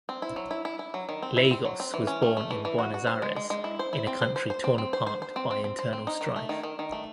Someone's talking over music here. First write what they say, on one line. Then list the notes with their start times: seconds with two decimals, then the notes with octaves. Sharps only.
Lagos was born in Buenos Aires in a country torn apart by internal strife.
0.09 C4
0.22 E4
0.36 F#3
0.51 E4
0.65 E4
0.79 E4
0.94 F#3
1.09 D#3
1.23 C4
1.37 E4
1.51 C4
1.65 F#3
1.80 C4
1.94 E3
2.07 C#4
2.22 A3
2.37 A3
2.51 E3
2.65 E3
2.79 F#4
2.94 F#4
3.07 C5
3.22 G#3
3.36 G#3
3.50 G#3
3.64 E4
3.79 C5
3.93 E4
4.07 C4
4.21 C5
4.36 C5
4.50 C5
4.64 C4
4.78 C4
4.93 C5
5.07 C5
5.22 C5
5.36 C4
5.51 C4
5.64 C4
5.79 C5
5.93 C4
6.07 D#4
6.21 D#3
6.36 A3
6.49 D#3
6.63 D#3
6.79 D#3
6.92 A3